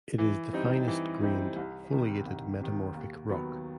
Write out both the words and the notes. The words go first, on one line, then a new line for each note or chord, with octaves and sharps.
It is the finest grained foliated metamorphic rock.
E3
G3 C4 D#4
E3
G3 C4 D#4
C2
C3 D#3
C2
C3 D#3
D#2
D#3 F#3 B3